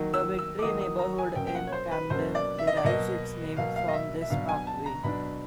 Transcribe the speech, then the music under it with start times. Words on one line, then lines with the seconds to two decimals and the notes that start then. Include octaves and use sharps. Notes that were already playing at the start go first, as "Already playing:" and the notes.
The Victory neighborhood in Camden derives its name from this parkway.
Already playing: D#3 F#3 A#3 D#4
0.14 E6
0.39 E6
0.59 D6
0.62 D#3 F#3 A#3 D#4 D#6
0.81 D#6
0.99 A#5
1.18 G#5
1.36 B2 F#3 A#3 C#4 G5
1.47 G5
1.55 F#5
1.67 C#5
1.72 C5
1.91 B4
2.10 B2 F#3 A#3 C#4 C5
2.35 D5
2.58 E5
2.67 D#5
2.77 D5
2.84 B2 F#3 A#3 D#5
3.57 B2 F#3 A#3 F5
3.76 F5
3.88 D#5
3.93 E5
4.21 E5
4.30 B2 F#3 B3 D4 F5
4.49 G#5
4.67 A5
4.86 A#5
5.03 B2 F#3 B3 D4 B5